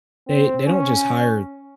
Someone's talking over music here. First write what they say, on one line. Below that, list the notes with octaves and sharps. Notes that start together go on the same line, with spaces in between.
they they don't just hire
C4
C#4